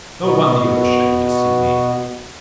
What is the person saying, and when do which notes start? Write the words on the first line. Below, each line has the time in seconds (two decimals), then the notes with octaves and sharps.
No wonder you are ashamed to see me.
0.21 B2 B3 F#4